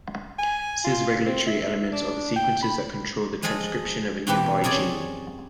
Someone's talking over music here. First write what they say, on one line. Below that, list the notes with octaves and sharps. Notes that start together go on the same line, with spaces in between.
Cis-regulatory elements are sequences that control the transcription of a nearby gene.
G#5
F4
C4
E5
D4
G5
B5
F3 G#3 F4 G#4 A4 D#5
B2 E3 C4 E4 G4 B4
F#2 C3 G#4 C#5 D5